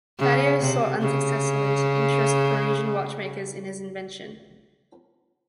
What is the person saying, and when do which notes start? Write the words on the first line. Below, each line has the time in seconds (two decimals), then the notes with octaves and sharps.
Fatio sought unsuccessfully to interest Parisian watchmakers in his invention.
0.19 C#3
0.60 C3
1.01 C#3